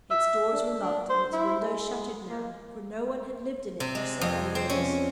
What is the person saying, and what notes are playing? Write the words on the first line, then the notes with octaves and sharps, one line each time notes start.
Its doors were locked and its windows shuttered now, for no one had lived in it for several years.
E5
D4
D4
C5
E4
G#3
A#3
C3
G#3
F2
C4
C#4